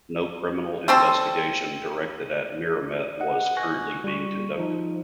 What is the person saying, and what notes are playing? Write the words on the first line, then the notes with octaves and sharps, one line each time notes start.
No criminal investigation directed at Mieremet was currently being conducted.
G3 C4 A4
D#5 F#5
G#5 C#6 F#6 A#6
G3 C#6
F3 D#4